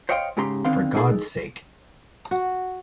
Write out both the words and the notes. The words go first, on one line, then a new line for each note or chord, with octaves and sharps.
For Gawd's sake!
C5 C#5 D#5 F5 G5 C6
G#2 C#3 G4 A#5 C6
D3 D#3 B3 C4 F5 C6
D#4 G#4 A4
F#4